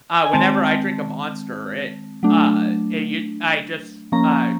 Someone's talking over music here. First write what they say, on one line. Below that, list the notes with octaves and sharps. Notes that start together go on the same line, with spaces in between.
Uh, whenever I drink a Monster it, uh, it, you I just, uh,
G#5
D#3 G#3 C4 A5
F#3 A3 D4
F3 A#3 C#4 A#5